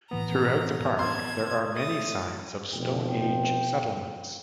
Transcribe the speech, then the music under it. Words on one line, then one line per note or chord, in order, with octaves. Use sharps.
Throughout the park there are many signs of Stone Age settlements.
A2 E3 A#3 B3 A#5
A5 C6 G#6
A3 D#6 A6
F1 B2 F3 G5